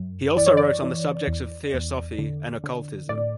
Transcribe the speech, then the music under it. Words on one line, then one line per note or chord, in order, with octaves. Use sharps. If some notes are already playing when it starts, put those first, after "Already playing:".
He also wrote on the subjects of theosophy and occultism.
Already playing: F#2
E3 D5
C#5
D5
E3
E2
E2
D3
D3
A2 D5